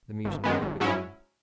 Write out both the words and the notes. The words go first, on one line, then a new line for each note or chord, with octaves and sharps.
The mutiny had begun!
G#1
F#2 D#3 G#3 B3
G#1
G#2 F#3 C#4 E4